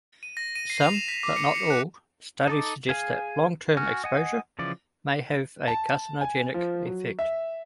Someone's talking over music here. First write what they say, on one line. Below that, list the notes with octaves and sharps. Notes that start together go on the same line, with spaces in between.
Some, but not all, studies suggest that long-term exposure may have a carcinogenic effect.
D#7
A#6
D#7
C7
F7
E7
B6
D6
C#7
C#7
F#6
D#4 A4 D6
G#4 F5 G#5
F#4 G#5 F6
D#5 F#5 G#5
C#3 E3 F3 D5
A5
G#5
F3
F#3
E5